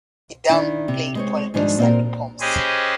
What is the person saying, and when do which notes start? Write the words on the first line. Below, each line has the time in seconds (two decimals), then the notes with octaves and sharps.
It downplayed politics and diplomacy.
0.50 D#3 D4 E4
0.88 C3
1.15 G#3 C4 C#5
1.54 G#2 D#3 F3 G3 D4
1.79 A#2 C4 F#4 A#4
2.40 C#4 G4 G#4 B4 C5 D#5